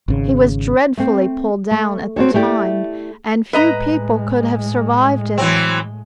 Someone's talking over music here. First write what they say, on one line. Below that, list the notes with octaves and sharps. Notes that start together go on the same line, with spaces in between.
He was dreadfully pulled down at the time, and few people could have survived it.
G#1 C#3
A3 C4
A3
C4 F#4 A4 C#5
A3 E4 G4 D5
A2 G#3 B4 D#5 A#5
E3 F#3 C4